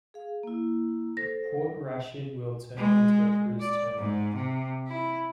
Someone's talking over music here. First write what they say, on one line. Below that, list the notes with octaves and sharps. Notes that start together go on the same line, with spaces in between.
Port Rashid will turn into a cruise terminal.
G#4 F5
A#3 E4
A4 C5 A#6
G#3
D5
G#2
C3
E4